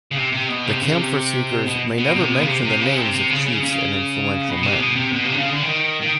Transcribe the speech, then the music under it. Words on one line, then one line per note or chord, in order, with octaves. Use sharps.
The camphor-seekers may never mention the names of chiefs and influential men.
C#3
C3
C3
B2
C3
C#3
C3
B2
B2
C3
B2
C#3
C3
C3
C#3
C3
C3
C#3
C#3
C#3
B2
C3
B2
C3
B2
C3
D3
C#3
D3
D#3
D#3